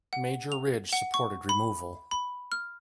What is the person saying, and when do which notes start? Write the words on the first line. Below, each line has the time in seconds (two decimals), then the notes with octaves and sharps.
Major Ridge supported removal.
0.13 F#5
0.52 F7
0.93 F#5
1.14 C#6
1.49 B5
2.11 B5
2.52 F6